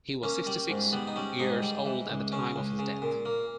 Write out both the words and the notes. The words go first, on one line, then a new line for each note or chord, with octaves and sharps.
He was sixty-six years old at the time of his death.
A#3 C#4
G3
G#2
G3 B3
D#4
G3 C#4
G#2 D#4
G3
E3
C#2
C#3 C#4
C#2
C#3
A#2
A#3